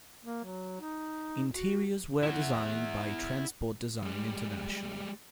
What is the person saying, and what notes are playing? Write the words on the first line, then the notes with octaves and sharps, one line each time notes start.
Interiors were designed by Transport Design International.
A#3
F#3
D#4
F#4
E4 F#5
G3 G#3